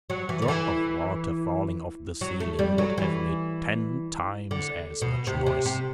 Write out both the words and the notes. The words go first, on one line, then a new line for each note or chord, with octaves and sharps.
"A drop of water falling off the ceiling would have made ten times as much noise!"
F#3
E3
D3
E3
F#3
A3
G3
F#3
E3
D3
B2
C3
C3
C3